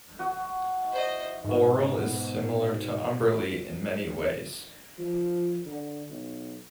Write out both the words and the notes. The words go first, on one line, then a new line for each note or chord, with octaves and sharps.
Auril is similar to Umberlee in many ways.
F#4 D#6
C5 D#5
G#2 B2
F3
D3
B1